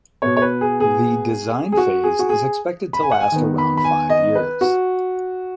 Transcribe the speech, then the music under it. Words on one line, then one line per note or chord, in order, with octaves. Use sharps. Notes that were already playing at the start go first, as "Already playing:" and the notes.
The design phase is expected to last around five years.
B2 B3 C#5
C#5
B4
G#4
G#4
G#4
F#4
G#4
F#4
G#4
B5
G#5
F#5
G#5
D#3 B3
B5
B5
G#5
D#5
B4
F#4